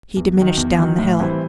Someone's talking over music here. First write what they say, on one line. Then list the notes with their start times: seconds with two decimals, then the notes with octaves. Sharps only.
He diminished down the hill.
0.17 E2
0.37 D#3 F#3
0.57 E2
0.78 D#3 F#3
0.99 A2
1.20 E3 G3 C4 E4